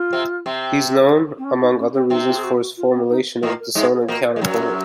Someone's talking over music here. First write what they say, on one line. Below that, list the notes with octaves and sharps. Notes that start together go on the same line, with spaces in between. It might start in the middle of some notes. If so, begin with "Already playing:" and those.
He is known, among other reasons, for his formulation of dissonant counterpoint.
Already playing: F4
C3 C4
C3 C4
C4
C#4
D#4
C#4
C4
C3 C4 D#4
F4
G#4
F#4
F#4
F4
C4
D#4
A#2 A#3
A#4
G#2 G#3 G#4
G#4
C#5
A#2 A#3 C5
C5
A#4
G#3 C5
F#2 F#3 A#4
A#4
A#4